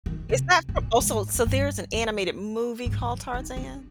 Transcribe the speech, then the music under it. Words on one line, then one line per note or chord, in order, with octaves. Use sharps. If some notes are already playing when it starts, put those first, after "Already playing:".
Is that from also, so there's an animated movie called Tarzan?
D#3
C3
G#2
A#2
G#2
F2
G2
F2
G#2
D#3
F3
D#4
D4